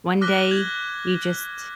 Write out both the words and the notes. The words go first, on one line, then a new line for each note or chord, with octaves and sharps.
one day, you just
D6 F6 F#6 A#6 B6 G7
G#6